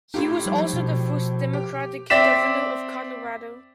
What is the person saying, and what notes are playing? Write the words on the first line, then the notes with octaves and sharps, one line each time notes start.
He was also the first Democratic governor of Colorado.
A2 D#4 F4 G4
F3 G3
B2
G4
C4 D5 E5 B6 E7